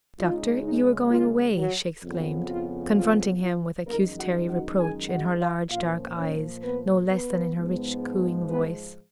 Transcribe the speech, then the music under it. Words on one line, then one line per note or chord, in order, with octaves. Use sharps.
"Doctor, you are going away," she exclaimed, confronting him with accusatory reproach in her large dark eyes no less than in her rich cooing voice.
C#2 C#3 G#3 D#4 F4
D#4
F4
F#3 F#4
F2 C#3 F3 B3
F4
F4
F4
F#2 D#3 G#3 A#3 D#4 A#4
F#4 F#5
F#4 F#5
G#4 G#5
F#4 F#5
F4 F5
A#2 F3 A#3 C#4 F4 F5
C#4 C#5
B3 B4
B3 B4
G#2 F3 G#3 B3
B3 B4